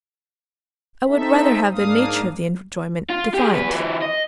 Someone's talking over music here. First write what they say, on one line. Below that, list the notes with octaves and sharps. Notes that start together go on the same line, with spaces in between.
'I would rather have the nature of the enjoyment defined.'
C4 D#4 A4 E5
G#2 A#3 D4 F5 D#6
F4
G4 G#4
E2 B4
E3 F#3
D#5